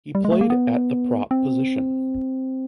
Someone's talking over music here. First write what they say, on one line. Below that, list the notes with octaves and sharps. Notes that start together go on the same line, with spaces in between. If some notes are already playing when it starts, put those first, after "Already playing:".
He played at the prop position.
G3
G#3
A3
A#3
B3
C4